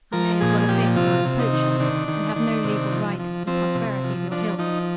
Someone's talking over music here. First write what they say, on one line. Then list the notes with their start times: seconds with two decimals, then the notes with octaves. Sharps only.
I may as well admit that I am a poacher, and have no legal right to the prosperity of your hills.
0.13 F3 A#4
0.41 A#2 G#4
0.60 G#4
0.68 F3 G4
0.96 C3 F4
1.25 C3
1.39 D#4
1.53 D#3
1.80 D#3 D4
2.08 D#3
2.36 D#3
2.64 C3
2.92 F3
3.19 F3
3.47 F3 C4
3.75 C3
4.04 F3
4.31 F3 D4
4.59 F3 D#4